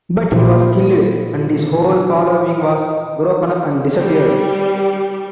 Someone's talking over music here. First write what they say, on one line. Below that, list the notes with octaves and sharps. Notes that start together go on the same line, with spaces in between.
But he was killed and his whole following was broken up and disappeared.
A#2 E3 F3 E4 G4 C5
G3